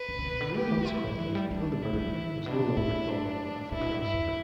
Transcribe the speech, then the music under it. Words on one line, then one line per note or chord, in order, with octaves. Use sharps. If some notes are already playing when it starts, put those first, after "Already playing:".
Consequently, Hildebert is no longer thought of as a philosopher.
Already playing: B4
D3
D3
B2
D3
B3 G4
A3
G3
E4
G3
E3
G3
G3 D4
A3 E4
A3
G3
E3
A2
B2 D4
A2 E4
D4
A2 E4
B2
A2
G2 E4
E2